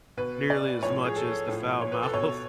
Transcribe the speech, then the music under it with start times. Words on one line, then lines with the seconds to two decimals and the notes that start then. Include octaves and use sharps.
nearly as much as the foul-mouthed
0.17 B2 B4
0.50 D5
0.83 A2 F3 C#5
1.05 G#4
1.16 A4
1.48 A2 F3
1.81 C#5
1.92 B4
2.03 A4
2.14 B2 C#5